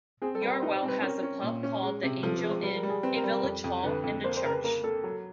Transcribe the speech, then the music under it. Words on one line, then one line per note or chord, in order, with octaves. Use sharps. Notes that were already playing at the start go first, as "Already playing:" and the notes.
Yarwell has a pub called The Angel Inn, a village hall and a church.
C4 G#4
A4
G3
A#4
D#4 B4
C5
C4
B4
C#4 A#4
C#4
A#2
C#4
G#3
C3
F3 A4
B4
G#3
C5
G3 B4
A#4
G3
G#4
C4 B4
A#4
G3
A#4
F2
F2
D3 B4
F2
A#3 C5
C5
C#3 A#4
B4
A#3 A#4
A#3 A4
F#3